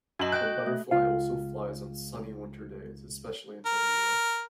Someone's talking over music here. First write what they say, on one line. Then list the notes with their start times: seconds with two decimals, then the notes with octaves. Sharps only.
The butterfly also flies on sunny winter days, especially in southern Europe.
0.19 F#2 F#4 D#5 F#7
0.32 D#5 G5 F#6 G6
0.66 A3
0.91 C#2 F4 F5
3.66 A#4